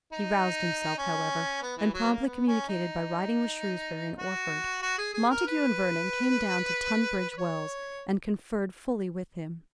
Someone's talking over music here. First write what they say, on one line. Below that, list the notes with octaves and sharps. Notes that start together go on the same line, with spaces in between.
He roused himself, however, and promptly communicated by writing with Shrewsbury and Orford. Montague and Vernon came down to Tunbridge Wells, and conferred fully with him.
D#4
C#4
B3
E3
F#3
B3
A#3
B3
C#4
D#4
F#4
F#4
G#4
G#4
A#4
B4
B4
C#5